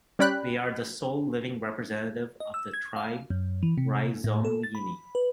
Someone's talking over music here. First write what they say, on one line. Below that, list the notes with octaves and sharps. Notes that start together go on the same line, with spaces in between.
They are the sole living representatives of the tribe Rhizomyini.
G3 C#4 D5 G5 B5 F#6
D#5
E6
G#6
F5
F#2
E3
C3
A2
A4
A6
B5
B4